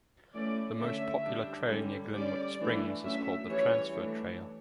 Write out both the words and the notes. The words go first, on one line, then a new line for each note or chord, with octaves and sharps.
The most popular trail near Glenwood Springs is called the Transfer Trail.
E3 A3 C#4 D5
D3 A3 C#4 E5
G3 D4
D3 G3 C#4
G3 C#4 D5
E3 A3 D4
F#3 A3 C#4 E5
E3 G3 C#4 C#5
E3 A3 D4